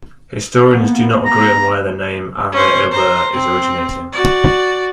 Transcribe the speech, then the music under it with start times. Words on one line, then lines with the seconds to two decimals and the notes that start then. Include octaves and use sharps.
Historians do not agree on where the name "Havre-Aubert" is originating.
0.72 A#3 B3
1.25 A#5
2.52 C#4 C5
2.91 C5 A#5
3.33 C4
4.13 F#4 D5